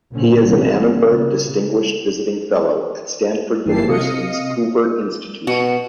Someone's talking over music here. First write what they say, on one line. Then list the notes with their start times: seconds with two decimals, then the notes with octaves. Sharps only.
He is an Annenberg Distinguished Visiting Fellow at Stanford University's Hoover Institution.
0.11 A1 A#2 D3 C4 C#4
0.41 G#1 C3 E3 G3 B3 C#4
1.03 C#3
3.65 G1 E3 A#3 G4 A5 C7
3.88 C3 D#5 F5 D#6 C#7
5.47 B2 F#4